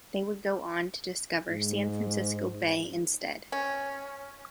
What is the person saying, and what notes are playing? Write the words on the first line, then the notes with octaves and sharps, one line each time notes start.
They would go on to discover San Francisco Bay instead.
G#2
C#4